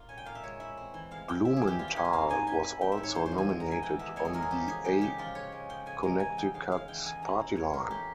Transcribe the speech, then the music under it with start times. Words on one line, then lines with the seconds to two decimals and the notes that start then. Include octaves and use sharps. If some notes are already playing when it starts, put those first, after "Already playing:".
Blumenthal was also nominated on the A Connecticut Party line.
Already playing: A#2 F4 F5
0.09 C#4 G#5
0.18 G5
0.25 A#2 F5
0.35 E5
0.43 G#3 C#5
0.60 E4 E5
0.77 C4
0.94 E3
1.11 G#3 F5
1.28 E4 G5
1.45 C4 E5
1.56 G#4
1.62 E3
1.67 G4
1.79 G3 F4
1.88 G4
1.96 E4 G#4
2.05 A#4
2.13 C4 F5
2.30 G#2 G#5
2.47 G3 G#5
2.64 E4
2.81 C4 G5
2.92 E5
2.97 G#2
3.03 C#5
3.14 E3 C5
3.25 C5
3.31 E2
3.38 G#5
3.49 G#3
3.60 A#5
3.66 E2
3.71 G#5
3.82 E3 G5
3.99 E2 E5
4.16 G#3 C#5
4.25 G#4
4.33 E2 A#4
4.42 G#4
4.51 F3 G4
4.67 C#3 G#4
4.84 G#3 G4
5.01 C#3 G4
5.18 F3 F4
5.35 C#3 C#5
5.52 G#3
5.69 C#3 G5
5.86 C#3 G#5
6.03 G#3 A#5
6.20 E3 G#5
6.37 E2 G5
6.54 C#3 F5
6.71 G#3 F5
6.88 E3 G5
7.05 E2 G#5
7.22 E3 A#5
7.39 E4
7.56 G#3 C#5
7.73 F2 A#4
7.90 E3 G4